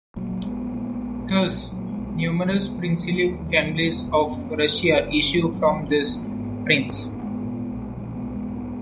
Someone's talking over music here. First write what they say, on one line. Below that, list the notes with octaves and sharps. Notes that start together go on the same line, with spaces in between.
Thus, numerous princely families of Russia issue from this prince.
A#2 F#3 A#3
A#1 G#3 B3
A#2
A#1
A#2
B1
A#2 F#3 A#3
G#3 B3
B1
G#3 B3
C#3
C#2 G#3 B3
C#3 F#3 A#3
C#2 F#3 A#3
D#2 E3
D#3 F#3
C#3
F#3 A#3
E1 G#3 B3
E1
C#4
B3
F#2 A#3 C#4
C#3
F#1
F#1
C#4
G#2 G#3 B3
F#3 A#3
G#1
E3 G#3
G#2 C#4
B3
G#1 A#3
G#3 B3
G#2
G#1
G#2 C#4
B3
A#3
G#1 G#3 B3
A#2
B1
A#2 E3 G#3
C#4
G#3 B3
B1
G#3 B3
G#2